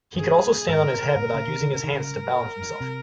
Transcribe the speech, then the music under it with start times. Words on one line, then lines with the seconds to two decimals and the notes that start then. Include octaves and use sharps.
He could also stand on his head without using his hands to balance himself.
0.15 G2 G#4
0.68 G#2 A#4
1.16 G#2
1.22 A#2
1.34 C#3
1.48 D#3
1.61 D#3
1.74 C#3 A#4
1.84 D#3
1.93 C#3
2.80 C3